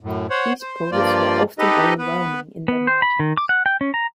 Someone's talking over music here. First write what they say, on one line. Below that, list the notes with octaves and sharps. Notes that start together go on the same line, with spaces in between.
These polls were often overwhelming in their margins.
F#2 A2
C5 C#5 F#5
C5
G2 F3 A#3 F4 D5
D#4 G4 A4 B4 D#5
B3 B4
B3
C5
B5
D#3
D6
F#5
G5
C#4
A#5